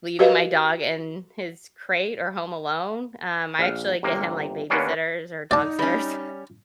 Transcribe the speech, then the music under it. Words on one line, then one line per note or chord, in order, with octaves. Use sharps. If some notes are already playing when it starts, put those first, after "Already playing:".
leaving my dog in his crate or home alone, um, I, actually, get him, like, babysitters or dog sitters,
F#4 G4 A#4 B4 D#5 F5
A#1 F5
G1 C3 A#3
D#2 A#3 B3 C#4 D4
D#4 D5 A5
G3 C#4